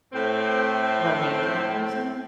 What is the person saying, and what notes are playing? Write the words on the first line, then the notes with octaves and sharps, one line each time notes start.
relate to that person,
A2 C4